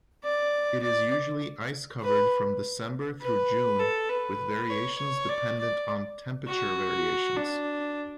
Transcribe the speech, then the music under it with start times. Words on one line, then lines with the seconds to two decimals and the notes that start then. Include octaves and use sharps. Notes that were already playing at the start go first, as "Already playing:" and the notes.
It is usually ice-covered from December through June, with variations dependent on temperature variations.
0.23 D5
0.82 D5
2.02 B4
3.21 B4
3.79 A4
4.09 B4
4.69 C#5
4.98 C#5
5.29 D5
5.59 D5
6.47 F#4
7.36 D4